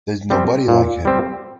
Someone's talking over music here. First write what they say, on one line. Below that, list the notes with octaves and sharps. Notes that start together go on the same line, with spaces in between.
There is nobody like him.
G3 C4
A#2
G3 C4